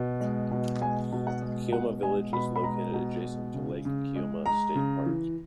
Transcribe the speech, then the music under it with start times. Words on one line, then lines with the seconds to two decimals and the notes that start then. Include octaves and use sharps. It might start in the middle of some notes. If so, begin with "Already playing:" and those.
Keomah Village is located adjacent to Lake Keomah State Park.
Already playing: B2
0.21 G#3
0.51 B2
0.81 G#3 G#5
1.12 B2
1.27 F#5
1.42 G#3
1.72 B2 F#5
2.03 G#3 G#5
2.33 B2 B5
2.56 B5
2.64 G#3 A#5
2.94 B2
3.24 G#3
3.54 C#3
3.85 C#3
4.16 G#3
4.46 G#3 A#5
4.75 C#3
5.06 E3